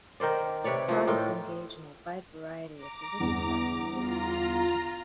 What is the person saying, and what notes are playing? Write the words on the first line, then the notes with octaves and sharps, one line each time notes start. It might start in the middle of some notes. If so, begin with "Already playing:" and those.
Sadhus engage in a wide variety of religious practices.
D#3 A#4 C5 D5
C3 B4 C#5 D5
F3 A#3 E4
A2 D#3 F4 G5
A#5 D6
G1 E2
F4 A#5